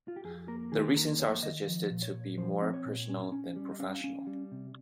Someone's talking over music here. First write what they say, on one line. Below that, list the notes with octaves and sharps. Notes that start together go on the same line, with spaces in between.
The reasons are suggested to be more personal than professional.
F4
G4
F2 G#4
A#3 A#4
D#3 G#4
G4
G#4
A#3 A#4
F2 C#5
F5
D#3 D#5
F3
A#2
C#5
A#2
F3 C5
C4
C#5
A#2
C#4
C#4
G3
D#5
C#4 F5
C#4
G3
C3